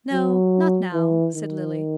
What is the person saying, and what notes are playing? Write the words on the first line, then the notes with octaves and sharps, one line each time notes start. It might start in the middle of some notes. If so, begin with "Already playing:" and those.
"No, not now," said Lily.
F#3
E3
D#3